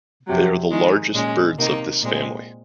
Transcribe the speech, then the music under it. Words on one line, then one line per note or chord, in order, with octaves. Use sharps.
They are the largest birds of this family.
F2 C3 F#3
D#3 G#3 D#4
A#2 G#3 C#4
C3 D#3 A#3 D#4
A#2 G#3 C4